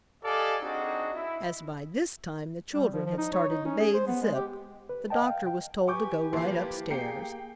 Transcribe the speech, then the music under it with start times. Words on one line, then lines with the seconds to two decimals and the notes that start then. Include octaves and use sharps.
As by this time the children had started to bathe Zip, the doctor was told to go right upstairs.
0.23 G4 A4 D5 D#5 F5 G#5
0.61 C4 D4 D#4 F#4 G#4 D#5
1.13 E4
2.73 G3
2.93 F3
3.05 F3
3.18 D#4
3.33 C#5
3.49 D#4
3.66 C#4
3.79 G#4
3.94 C5
4.07 B3
4.22 G#3
4.35 G4
4.89 B4
5.10 D#5 G5 A5
5.23 F5 G5
5.46 G5
5.88 G4 B4 G#5 C#6 D6 G6
6.33 E3 F3 A#3 B4 C6 C7
6.90 A#3 G#4 G5 C7 C#7